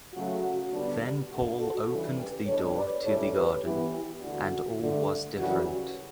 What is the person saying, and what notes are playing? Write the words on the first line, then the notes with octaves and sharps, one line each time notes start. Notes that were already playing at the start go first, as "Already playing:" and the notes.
Then Paul opened the door to the garden, and all was different.
C#3 F#3 A3 F#4
D3 G3 B3 D4
B2 A3 D4 F#4
F#4 A4
C#3 E3 G3 D4 F#4 A4
G4 B4
B2 G3 D4 A4 C#5
B4 D5
A2 G3 C#4 A4 C#5
G4 B4
G2 E3 B3 E4 G4
E4 G4
E2 D3 A3 D4 F#4
G2 D3 A3
F#2 C#3 E3 G3 F#4